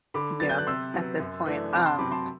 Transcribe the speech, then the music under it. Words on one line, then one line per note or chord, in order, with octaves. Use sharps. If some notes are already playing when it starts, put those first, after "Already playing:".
Yeah, at this point. Um
D3 B5 D6
F#3 B3 D4 A6
G6
F#6
C3 C6 E6
F#3 B3
F#2
E3 A3 D4
C3 B5 D6
A5 C6
F#3 C4 B5 D6
A5 C6